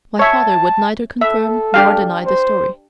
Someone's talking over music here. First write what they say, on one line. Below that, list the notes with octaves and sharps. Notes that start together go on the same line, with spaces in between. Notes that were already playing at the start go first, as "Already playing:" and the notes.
My father would neither confirm nor deny the story.
C#5 E5 A5
A4 E5
D4 G4 F5
C5